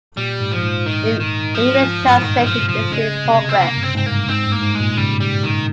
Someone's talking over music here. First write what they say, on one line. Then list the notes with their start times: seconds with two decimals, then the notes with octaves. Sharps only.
An English translation is in progress.
0.17 A#2 G3
0.41 G#2
0.52 F3
0.63 G#2
0.86 D#3
1.20 D#3
1.55 F3
2.03 G2
2.14 G#2 F3
2.22 A#2 D#3
2.46 F3
2.58 C3
2.69 F3
2.91 C#3 G#3
3.26 C3
3.49 C4
3.60 A#3
3.77 G2
3.83 C4
3.95 G#2 C4
4.06 A#3
4.12 G2
4.29 G#2 C4
4.46 G2
4.52 A#3
4.63 G#2
4.75 G#3
4.80 A#2
4.97 C#3 G3
5.20 G3
5.43 D#3